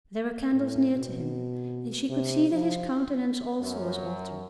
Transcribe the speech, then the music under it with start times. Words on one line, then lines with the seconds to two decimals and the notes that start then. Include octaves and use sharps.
There were candles near to him, and she could see that his countenance also was altered.
0.54 A2
0.95 B2
2.09 C3
2.52 F3
3.61 F#2